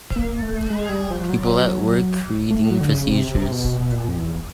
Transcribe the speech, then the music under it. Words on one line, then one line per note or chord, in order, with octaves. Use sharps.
People at work reading procedures.
A#3
A3
G#3
G3
F3
F3
F#3
A3
F#3
D3
C#3
C3
C3
B2
B2
A#2
F2
E2